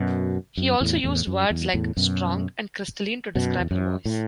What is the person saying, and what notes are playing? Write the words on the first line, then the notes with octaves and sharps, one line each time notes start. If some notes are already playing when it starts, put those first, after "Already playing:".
He also used words like "strong" and "crystalline" to describe her voice.
Already playing: F#2 B2
F#2
E2 A2
E2 A2
F#2
E2
E2 A2
F#2 B2
F#2 B2
E2
F#2
A2